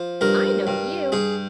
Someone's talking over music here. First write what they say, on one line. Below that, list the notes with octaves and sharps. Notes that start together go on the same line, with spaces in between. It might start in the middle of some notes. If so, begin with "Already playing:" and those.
"I know you!"
Already playing: F3
G2 A#4
G2
G2 G#4